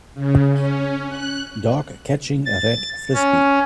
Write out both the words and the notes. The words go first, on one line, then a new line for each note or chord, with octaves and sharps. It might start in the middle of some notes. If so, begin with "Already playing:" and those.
Dog catching a red Frisbee.
C#3
C#4
F#6
A6
C#4